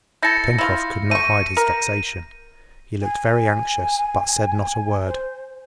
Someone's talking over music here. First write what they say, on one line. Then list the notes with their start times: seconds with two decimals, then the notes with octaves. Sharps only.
Pencroft could not hide his vexation; he looked very anxious, but said not a word.
0.23 E4 A4 G6 A#6 C#7
0.58 E4 F4
1.11 A3 C#6 D#7
1.57 A#4
3.02 G#5
5.06 C5